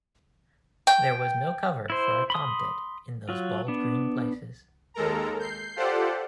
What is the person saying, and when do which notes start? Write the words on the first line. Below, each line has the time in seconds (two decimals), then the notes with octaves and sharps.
There was no cover for a tomtit in those bald green places.
0.87 G5
1.90 E4 C5
2.30 B5 C6 D#6
3.29 F#3 F4
3.68 B3 D4
4.94 D#2 G#3 A4 A#4 A#5
5.39 G6 C7
5.76 F4 G4 A4 C5 D5 F#5